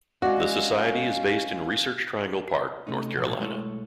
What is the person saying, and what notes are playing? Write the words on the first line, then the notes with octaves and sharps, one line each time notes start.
The Society is based in Research Triangle Park, North Carolina.
G#3 C#4 F#4 D5 F5
C3 A3 C#4 D#4
B1 A2 F3 F#4
B1 G#3 A3 E4 C#5